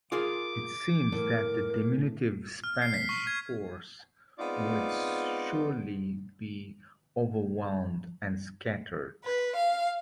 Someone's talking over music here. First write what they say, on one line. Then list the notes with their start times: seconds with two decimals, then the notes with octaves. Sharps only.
It seemed that the diminutive Spanish force would surely be overwhelmed and scattered.
0.12 F4 G#4 A#4 D6
1.12 A2 A#4
2.64 F6
2.82 C7
2.94 B6
3.09 C#6
3.27 G#6
4.39 G#3 B3 C4 D#4 F4 D5
9.25 B4
9.57 F5